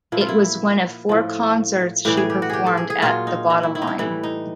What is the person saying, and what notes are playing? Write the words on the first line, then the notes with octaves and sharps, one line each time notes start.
It was one of four concerts she performed at The Bottom Line.
A#2 F3 E4
F4
E4
A2 F3
A2 E3 G3 G4
G#4
G4
F#4
G4 G#4
A4
G#4
G#4
A#2 F#3 F4
D#4
D#4
E4
E4
D#4
E4
A2 E3 G3 E4
D#4